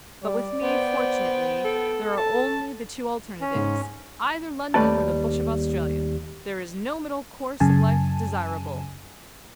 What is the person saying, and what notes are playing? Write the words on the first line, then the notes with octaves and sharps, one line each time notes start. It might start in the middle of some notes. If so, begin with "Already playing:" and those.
But with me, fortunately, there are only the two alternatives, either London or the bush of Australia--there is no middle course of life desirable.
G3 D5
B3 C5 G5
C5
A4
A4 A5
C#4
G#2
D#2 G3 A3 B4 D5 A5
F#2 C#3 G#5 A5